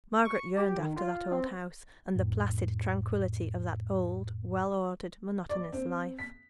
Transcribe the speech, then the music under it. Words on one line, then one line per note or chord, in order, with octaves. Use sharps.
Margaret yearned after that old house, and the placid tranquillity of that old well-ordered, monotonous life.
C#6
G4
D#3
F4
C4
F2 A2
D5
C4
B6